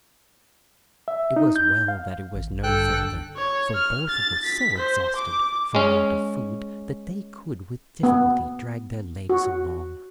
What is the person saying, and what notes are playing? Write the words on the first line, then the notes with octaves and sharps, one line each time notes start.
It was well that it was no further, for both were so exhausted from want of food that they could with difficulty drag their legs along.
E5
D#4
G6
F5
A1
G2 D3 A4 G5 F#6
C#5
F6
A6
B6
C5
D6
G#3 C#4
B3
F#4